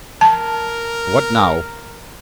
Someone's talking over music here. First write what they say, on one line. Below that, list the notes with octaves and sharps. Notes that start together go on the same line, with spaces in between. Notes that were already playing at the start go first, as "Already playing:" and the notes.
"What now?"
A#4 A5